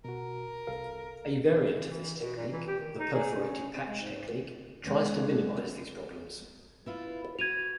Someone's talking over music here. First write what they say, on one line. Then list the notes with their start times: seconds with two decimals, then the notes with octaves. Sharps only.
A variant of this technique, the "perforated patch" technique, tries to minimise these problems.
0.05 B2 F#4 A#4
0.67 C2 A4 F5
1.89 E3
2.20 B2
2.36 A#2
2.52 E3
2.67 G4
2.79 D#3
2.99 D#4
3.13 G#4
3.34 C#4
3.72 C4
3.87 G#3
4.01 G#2
4.84 G#3 B3 C#4 D4
6.86 B3 E4 F4
7.39 F#4 G#6 D#7 F7